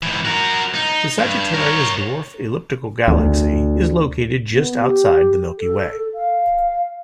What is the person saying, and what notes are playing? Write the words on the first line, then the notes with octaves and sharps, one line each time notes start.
The Sagittarius Dwarf Elliptical Galaxy is located just outside the Milky Way.
G#2 E3
F#4 A#4
D#4
G2
A#4 C#5
D2
B3
G4
A4
F5